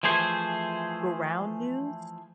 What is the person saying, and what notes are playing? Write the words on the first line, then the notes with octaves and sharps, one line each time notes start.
Ground News?
E3 F3 A3 G#4 C5